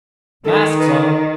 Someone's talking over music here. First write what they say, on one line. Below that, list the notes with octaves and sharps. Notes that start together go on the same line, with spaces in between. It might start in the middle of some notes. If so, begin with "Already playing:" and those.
Masks on!
D#3 A4
B4